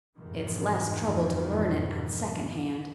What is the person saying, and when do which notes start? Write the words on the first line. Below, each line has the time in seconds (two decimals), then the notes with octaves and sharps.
It's less trouble to learn it at second hand.
0.16 G1 F2 G#2 B2 D#3 E3